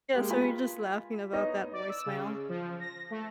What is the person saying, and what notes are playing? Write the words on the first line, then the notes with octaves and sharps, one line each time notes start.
Yeah, so we're just laughing about that voicemail.
G#3 A#3 G4
F4 B4 G#5
B3 D#4 C#5 D#5
D5
E6
C#3
F3
A#6
A3